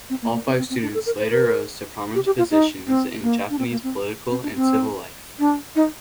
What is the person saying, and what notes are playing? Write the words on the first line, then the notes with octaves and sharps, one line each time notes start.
All five students later rose to prominent positions in Japanese political and civil life.
C4
A#3
A#3
C4
C4
C4
D4
A4
A#4
C5
A#4
G4
G4
F4
D#4
C4
A#3
D4
C4
A#3
C4
C4
D4
C4
D4
D#4